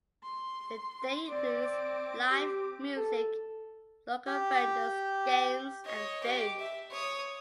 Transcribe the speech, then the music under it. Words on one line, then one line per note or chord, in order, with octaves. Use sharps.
The day includes live music, local vendors, games, and food.
C6
C4 D5 D6
G4
A4
G4
C#5 D#5
G4 D6
E5
C#5 D#6